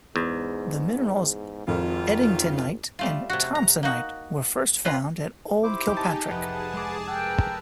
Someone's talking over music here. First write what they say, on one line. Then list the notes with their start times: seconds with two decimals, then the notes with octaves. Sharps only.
The minerals edingtonite and thomsonite were first found at Old Kilpatrick.
0.16 E2 G#2
1.68 G#1 F2 D#3 F4
2.99 G3 A3 F4
3.30 C3 F#4
3.55 A#5
3.83 A#3 D#4 F#4
4.85 C#3 F4 B4 A#5
5.63 D#4 E4 G4 C5 D6
5.97 G#4 A5
6.31 F1 G#4 B4 F#5 A5
6.73 G#3 D6
7.08 A#4 B4 G5 A5 E6 F#6